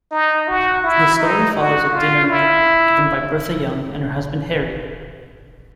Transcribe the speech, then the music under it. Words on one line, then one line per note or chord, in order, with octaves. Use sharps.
The story follows a dinner party given by Bertha Young and her husband Harry.
D#4
F#4
E4
D#4
F#4
F4
E4